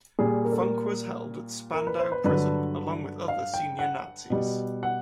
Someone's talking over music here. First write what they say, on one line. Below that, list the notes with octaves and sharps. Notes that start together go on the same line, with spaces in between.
Funk was held at Spandau Prison along with other senior Nazis.
A#2 G3 G#4
A#4
A4
A#4
A#4
B4
C5
B4
G2 D3 F#3 B4
F5
G5
F#5
B2 G3
F#5